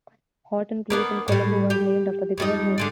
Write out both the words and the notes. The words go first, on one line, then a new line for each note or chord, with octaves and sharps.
Horton Place in Colombo was named after the Governor.
A#3 B3 D4
A2 G3
G4
F2 G3 D#4
D3 G#3 D5